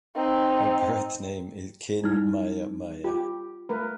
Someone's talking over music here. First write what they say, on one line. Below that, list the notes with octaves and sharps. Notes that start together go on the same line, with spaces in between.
Her birth name is Khin Mya Mya.
C4 D#4
G3 D#4 E4 F6
F4 G4
A3 A#4 B4